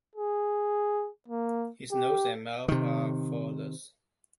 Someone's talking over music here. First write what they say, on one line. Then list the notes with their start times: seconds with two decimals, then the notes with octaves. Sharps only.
His nose and mouth are faultless.
0.16 G#4
1.28 A#3
1.92 G4
2.68 C3 D#3